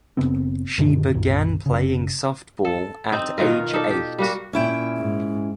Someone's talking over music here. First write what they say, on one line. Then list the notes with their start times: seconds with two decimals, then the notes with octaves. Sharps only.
She began playing softball at age eight.
0.17 F#1 C#3 B3 C4
0.78 F#2 A#2 D3 D#3
1.14 B1 F#2 A#2
1.66 F#1 C#3
2.65 A4
3.12 C4 D#4
3.38 B2 D#3 F4 A#4
3.73 D#4 A4 D5
3.91 G4
4.18 G3 A#3 F#4
4.53 A#2 C#4 E4 G5
4.97 G#2